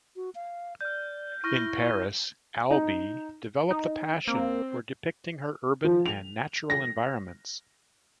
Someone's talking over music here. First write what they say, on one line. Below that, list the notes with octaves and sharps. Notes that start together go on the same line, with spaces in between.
In Paris, Albee developed a passion for depicting her urban and natural environments.
F#4
F5
D5 F6 G6
E4 C#6 F6 A#6
D#4
D#4
A#3 C4
F3
F7
A#6